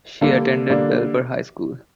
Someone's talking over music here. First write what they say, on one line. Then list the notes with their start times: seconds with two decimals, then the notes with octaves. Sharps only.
She attended Belper High School.
0.21 D3 G3 A#3 D4
0.69 D3 G3 A#3 D4